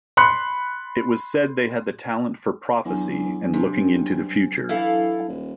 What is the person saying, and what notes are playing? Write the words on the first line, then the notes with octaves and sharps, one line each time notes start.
It was said they had the talent for prophecy and looking into the future.
B5 C6 F#6 C#7
E2 F#3 D4 G#5
G2 C3
E3 E4 A4 F5
D#1